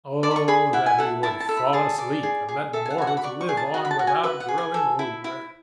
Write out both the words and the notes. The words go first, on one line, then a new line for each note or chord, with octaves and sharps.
Oh that he would fall asleep and let mortals live on without growing older!
D5 A5
B5
C#6
G#4 B5
E4 F#5
G#5
A4 F#5
E4 A5
A5
A4
B5
G#4 A5
D5
G#4
G#4
A4 E5
G#5
F#5
F#4 G#5
F#5
B5
D5 C#6
C#6
G#4
A5
F#4 F#5
B5
A5
F#4
G#5
B4 E5
F#5
G#4
G#5
A4
E4
E4